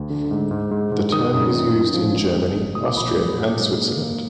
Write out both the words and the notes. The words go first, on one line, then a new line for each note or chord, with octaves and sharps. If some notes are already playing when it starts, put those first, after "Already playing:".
The term is used in Germany, Austria, and Switzerland.
Already playing: D2
D3
G#2
G#2
G#2
G#2
D#3 D#6
F#2
D#3
F#2
F3
G#1
D3
G#1
A#2 D#6
D6
A#1 B5
D6
F#3
A#2
G#2
A#3
A#3